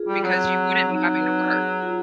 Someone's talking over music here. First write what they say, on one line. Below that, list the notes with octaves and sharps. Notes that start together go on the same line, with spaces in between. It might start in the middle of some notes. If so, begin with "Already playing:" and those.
because you wouldn't be having to work.
Already playing: F4 G#4
G3
F#3 C4
C4
F#3 D#4
B4
G#4
F4